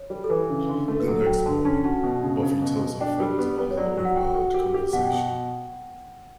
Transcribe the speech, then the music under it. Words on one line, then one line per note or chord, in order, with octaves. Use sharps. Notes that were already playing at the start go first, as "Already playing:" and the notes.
The next morning, Buffy tells her friends about the overheard conversation.
Already playing: C#5
G3
A4
E3 B4
C#3
D3
A3
B4
F#3 A4
F#3 G5
D3 A5
C#4 A5
F#4 A5
B2
C#3
C#3
B2
B2
D4 G5
G3
B3
B3
C#5
F#3 D5
F#3
F#5
F#4 G5
F#4
G4
G4
B2 F#5
G5
B2 F#5